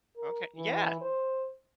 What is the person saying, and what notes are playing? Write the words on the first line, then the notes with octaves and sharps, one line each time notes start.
Okay, yeah.
A#4
E3
C5